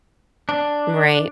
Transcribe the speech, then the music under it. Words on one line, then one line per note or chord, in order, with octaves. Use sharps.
Mm, right.
D4